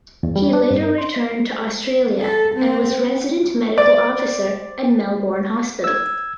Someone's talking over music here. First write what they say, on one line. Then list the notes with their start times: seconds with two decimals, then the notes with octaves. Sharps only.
He later returned to Australia and was Resident Medical Officer at Melbourne Hospital.
0.23 E2
0.36 G3
0.53 D4
0.71 G2
0.83 A#4
0.98 C6
2.19 A4
2.54 C4
3.78 C5 D5
5.84 E6 G#6